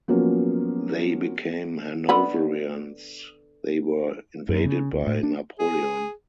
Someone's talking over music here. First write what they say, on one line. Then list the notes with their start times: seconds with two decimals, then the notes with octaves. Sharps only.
They became Hanoverians; they were invaded by Napoleon.
0.08 F3 F#3 A#3 B3 C#4
2.09 D3 B3 B5
4.49 F#2
4.65 C#3
4.93 D2
5.07 A2
5.23 D4
5.59 G#4